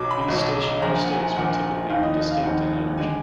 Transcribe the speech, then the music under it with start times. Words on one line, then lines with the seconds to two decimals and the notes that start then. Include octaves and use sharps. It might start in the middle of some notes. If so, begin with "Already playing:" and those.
These stationary states will typically be distinct in energy.
Already playing: B1 B2 F#3 D6
0.11 B5
0.28 B1 B2 F#3
0.82 A#1 A#2 F3 A#5
1.04 F#5
1.09 G#5
1.36 A#1 A#2 F3 F#5
1.90 F1 D#2 D#3 F5
2.03 D#5
2.17 D#5
2.31 F5
2.43 F1 D#2 D#3 F#5
2.97 D3 G#3 G#5